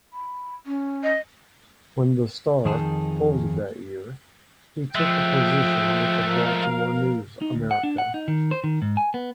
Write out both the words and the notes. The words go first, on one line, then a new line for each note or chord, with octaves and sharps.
When the "Star" folded that year, he took a position with the "Baltimore News-American".
B5
C#4
D#5
F2 D#3 D#4 G#4 A5
F3 G#3 A3 E5 G5 F#6
A#4 F5
D#4
D2
F#5
D4
F#5
D#4
D#3
C5
D#3
G#2
G#5
B3